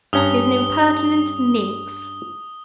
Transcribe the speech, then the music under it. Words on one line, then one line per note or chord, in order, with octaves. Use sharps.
"She is an impertinent--minx!"
G2 C#4 A#5 D#6 G7